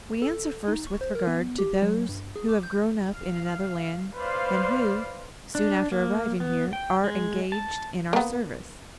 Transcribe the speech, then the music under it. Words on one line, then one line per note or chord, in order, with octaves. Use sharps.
We answer first with regard to those who have grown up in another land, and who, soon after arriving here, are engaged in our service.
A4
D#4
C#6
C5
A#4
B3
G4
F#3
G2
G#4
D6
G6
F5
B4 C5 D5 F5
D4
A#3
B3
G5
G#3
A5
A#3 B3